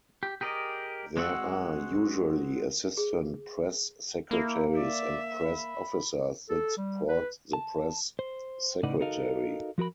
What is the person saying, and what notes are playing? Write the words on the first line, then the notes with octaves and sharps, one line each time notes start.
There are usually assistant press secretaries and press officers that support the press secretary.
G4
G4 G#4 A#4 D5 D#5
G#3 C4 F#4 F#5 E6
G#4
A#3 E4
D5 E5
B5
A4
G3
B4
A5
C5
A2 C#3 D#4 B4 D5 F#5
D#4 F#4 A4 A#4 D#5 F5
F3 F#4 A#4 B5